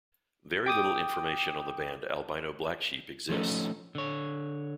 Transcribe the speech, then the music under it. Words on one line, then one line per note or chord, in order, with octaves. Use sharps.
Very little information on the band Albino Blacksheep exists.
G5 D6 D#6
F3 A3 C#4 D#4
D3 C#5